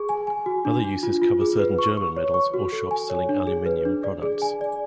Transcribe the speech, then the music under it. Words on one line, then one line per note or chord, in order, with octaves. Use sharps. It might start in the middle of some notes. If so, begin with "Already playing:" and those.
Other uses cover certain German medals or shops selling aluminium products.
Already playing: G#4 C#6
G#5
G#5
F#4
D4
D4
F4
F4
G#4
B4
C#6
C#6
C#5
C#6
F#4
A4
G#5
C#5
D4
G#4
B4
D4
D5
G#4
G#5
D5